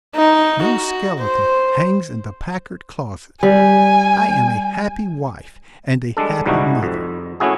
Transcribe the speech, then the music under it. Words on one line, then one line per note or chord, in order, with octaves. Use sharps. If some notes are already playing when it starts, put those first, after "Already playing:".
No skeleton hangs in the Packard closet. I am a happy wife and a happy mother.
D#4
F#4
C5
G3 G#5
G3 G#3 D4 A4
C2 G#2 G3 D#4 E4 F#4
F2
A3 C#4 E4 F#4 G#4